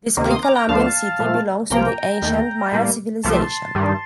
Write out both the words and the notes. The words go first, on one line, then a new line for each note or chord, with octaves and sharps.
This pre-Columbian city belongs to the ancient Maya civilization.
D2 C3 D#3 A#3
D6
C6 D#6
A#5 D6
G5 A#5
D2 D3 F3 A3 F5 A5
A#2 F3 A3
C2 C3 F3 A#3 G5 A#5
D#2 D#3 A3
A2 G3 A#3
C2 C3 F3 A3 A5 C6
G2 D#3 G3